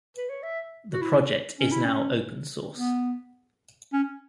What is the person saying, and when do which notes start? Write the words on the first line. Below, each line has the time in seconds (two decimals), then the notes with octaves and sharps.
The project is now open source.
0.17 B4
0.29 C#5
0.43 E5
0.93 F#4
1.02 E4
1.59 C#4
1.72 E4
1.85 C#4
2.77 B3
3.93 C#4